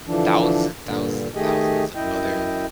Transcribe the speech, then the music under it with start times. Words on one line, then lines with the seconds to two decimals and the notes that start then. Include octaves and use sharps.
thousands and thousands and thousands of other,
0.07 D3 E3 F3 D4
0.83 G2 A#2 D3
1.35 D#3 A3 G4 G#4 D#5
1.95 F#2 E4 D#5 G5